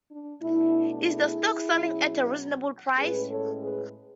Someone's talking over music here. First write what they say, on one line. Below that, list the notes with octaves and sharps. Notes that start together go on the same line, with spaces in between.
Is the stock selling at a reasonable price?
D4
B2 A3 D4 E4
E4 G#4
B2 F#3 C#4
A2 G#3 C#4 G#4 B4
A4 C#5
G#4 B4